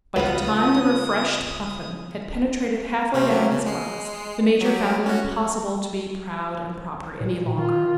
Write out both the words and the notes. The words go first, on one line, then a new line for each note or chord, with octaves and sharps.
By the time the refreshed Puffin had penetrated half-way down his glass, the Major found it impossible to be proud and proper any longer.
C#2 C#3 B3 F4 B4 D#6
C3 C4 C#4
F#3 A#3
C#3
G#3 C7
F#3 G4
C#4 F#4
A#2
D#3 F4